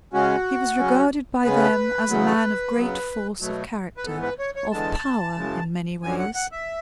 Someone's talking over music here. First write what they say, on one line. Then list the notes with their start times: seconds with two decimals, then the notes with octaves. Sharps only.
He was regarded by them as a man of great force of character; of power in many ways.
0.13 C#3 G#3 C#4 F#4
0.79 C#3 F#3 C#4
1.44 C#3 G#3 B3 B4
2.09 E2 C#3 F#3 B3
2.75 C#3 F#3 B3
3.41 B2 F#3 A3
3.97 B4
4.06 G#2 E3 B3 A4
4.22 B4
4.39 C#5
4.56 C#5
4.72 E2 D3 G#3 A5
5.37 F#2 C#3 E3 G#3
6.03 F#2 D3 F#3 G#5
6.19 F#5
6.35 F#5
6.52 E5